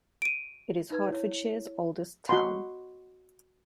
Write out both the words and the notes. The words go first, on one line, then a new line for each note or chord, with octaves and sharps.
It is Hertfordshire's oldest town.
D7 D#7
D#4 B4 G#6
E4 C#5
F#4 D#5 F#5 B5 C6